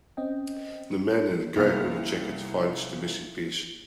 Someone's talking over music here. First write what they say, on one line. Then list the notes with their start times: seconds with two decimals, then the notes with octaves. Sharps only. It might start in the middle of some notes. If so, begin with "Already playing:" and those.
The man in the gray hooded jacket finds the missing piece.
0.17 C4 C#4 D#5 G5
1.56 C2 A#3 B3 F6